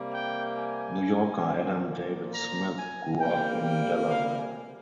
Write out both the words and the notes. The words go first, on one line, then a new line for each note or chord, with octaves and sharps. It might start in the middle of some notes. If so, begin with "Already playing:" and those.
New Yorker Adam David Smith grew up in Delaware.
Already playing: C3 G3 A#3
G5
G#5
A#2 F3 A#3
A#5
G#5
C3 G3 A#3 G5
G5
F5
G#5